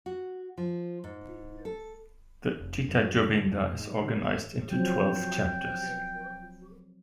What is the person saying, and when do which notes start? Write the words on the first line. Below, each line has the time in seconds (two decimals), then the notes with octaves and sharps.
The Gita Govinda is organized into twelve chapters.
0.06 F#4
0.58 F3
1.04 G#2
1.65 A4
2.60 F1
2.88 F#2
3.28 D3
3.47 F2
3.79 G#2
4.04 D3
4.71 F3 F#3 C4 G5